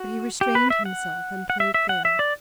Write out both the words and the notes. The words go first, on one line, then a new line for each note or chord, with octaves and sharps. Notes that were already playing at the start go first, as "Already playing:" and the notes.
But he restrained himself and played fair.
Already playing: F#4
G4
B4
E5
F#5
F#5
E5
E5
F#5
E5
D5